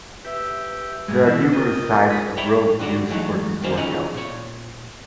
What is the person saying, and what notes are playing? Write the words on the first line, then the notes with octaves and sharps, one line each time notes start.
There are numerous types of ropes used for this workout.
G4 B4 E5 E6
G#2 G3 G#3
E3 F3 E4
F4 A#4 D#5 G5
G#3 D#4 B5
C#5 E5 G5 B5
G2 D3 D#4 F#4 G4
E3 F#3 G#3 A3 D#4
D#3 G3 A#3 G#4 C5
E2 A#2 C#3 F3 D#4 F#5
A#2 C#5